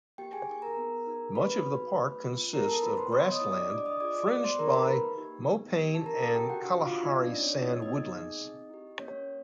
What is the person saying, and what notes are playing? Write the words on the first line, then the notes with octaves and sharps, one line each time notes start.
Much of the park consists of grassland, fringed by mopane and Kalahari sand woodlands.
A#3 G4 G5
G#4 G#5
D#4 G#4
A#4 A#5
B3
D#4 G#4
C4 B4 B5
D#4 F#4
A3
C#4 F4
B3 A#4 A#5
A4 A5
E4 A4 B4 B5
C5 C6
B3 C#5 C#6
D#5 D#6
E4 G4
D5 D6
D4 D5 D6
D#5 D#6
F4 G#4 D5 D6
D5 D6
B3 D5 D6
C5 C6
D#4 G#4 A#4 A#5
B4 B5
A#3
D#4 G4
B3
D#4 G4
A5
C#4 A#4 A#5
A4 A5
E4 G4 G5
F#4 F#5
D4 F#4 F#5
F4 F5
G4
D#4 D#5
C4 D4 D5
C#4 C#5
F4 G#4
D#4 D#5
B3 D#4 D#5
D#4 G#4
C4
E4 G4
A#3 C#4 C#5